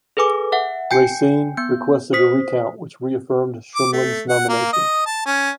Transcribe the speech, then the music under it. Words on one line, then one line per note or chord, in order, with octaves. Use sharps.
Racine requested a recount, which reaffirmed Shumlin's nomination.
G#4 A4 B4 G#5 D6
E5 F#5
G5 G#5 G6 C7 C#7
B3 G6
C5 D#6 B6
D6
A3
F#5
A#3
D#5
A5
C#4